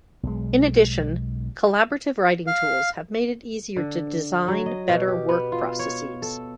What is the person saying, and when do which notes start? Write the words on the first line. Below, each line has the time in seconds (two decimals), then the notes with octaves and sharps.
In addition, collaborative writing tools have made it easier to design better work processes.
0.23 B1 G#3
2.47 F5
3.76 D3
4.48 F#3
4.66 D#5
4.89 B2
5.08 G4
5.29 B3
5.52 F4
5.79 C#5
6.22 A4